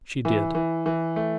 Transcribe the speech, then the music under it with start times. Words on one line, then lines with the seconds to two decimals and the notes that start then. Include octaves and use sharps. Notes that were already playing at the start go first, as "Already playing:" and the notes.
She did.
0.25 E3
0.55 E3
0.86 E3
1.16 A3